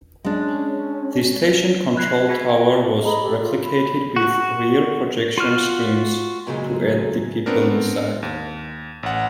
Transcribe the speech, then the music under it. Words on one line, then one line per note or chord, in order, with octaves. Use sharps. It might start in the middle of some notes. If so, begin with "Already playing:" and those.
The station control tower was replicated with rear-projection screens to add the people inside.
G#3 C#4 D4
B5 F#6 G#6 C7
F#4 G#4 B4 B5 G#6 B6
D#5 F5 G5 A5
G#4 D#5 A#5 B5
G4 A4
F4
B5
F#4
F4 F#4 F6
F#2 A#2 C#3 F#3 G#3
B3 C4 D4 A#4
D#2
A1 F#5